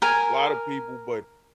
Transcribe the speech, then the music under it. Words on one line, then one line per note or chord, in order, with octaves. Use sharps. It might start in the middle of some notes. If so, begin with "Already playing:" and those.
lotta people but
A#4 G#5